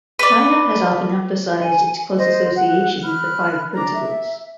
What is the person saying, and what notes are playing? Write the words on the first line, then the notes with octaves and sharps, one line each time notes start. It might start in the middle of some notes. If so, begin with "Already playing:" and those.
China has often emphasized its close association with the Five Principles.
B4 D5
G#5
C5 D#5
F#5
B5 F6 F#6
D4 D5 A#5
E5